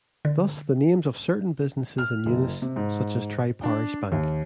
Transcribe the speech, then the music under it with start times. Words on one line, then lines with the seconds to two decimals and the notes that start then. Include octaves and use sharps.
Thus the names of certain businesses in Eunice, such as Tri-Parish Bank.
0.25 D3
1.98 F6
2.26 F#1
2.62 C3
2.76 G#2
3.63 D4
4.12 D#2